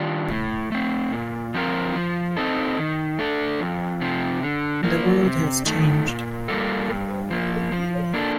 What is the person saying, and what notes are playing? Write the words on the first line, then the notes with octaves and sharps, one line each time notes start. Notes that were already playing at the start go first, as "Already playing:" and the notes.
The world has changed.
Already playing: D#3 G3 D4 F4
A2
A3 C4
A#2
F3 C4 F4 A#4
F3
C4 D#4 A4
D#3
A3 D4 A4
F2
C3 F3
D3
F3 A#3
C3
D#3 A3
A#2
G3 A#3 F4 A4
G2
F3 A#3
F3
A#3 D4 A4